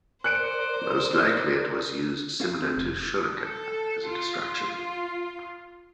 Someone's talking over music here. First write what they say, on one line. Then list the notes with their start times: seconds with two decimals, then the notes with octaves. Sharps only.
Most likely, it was used similar to "shuriken", as a distraction.
0.24 A#4 C5 D5 F#6 C#7 D7
2.40 C#4 A4 F5
2.62 C4
2.77 F1
3.41 A4
4.07 F4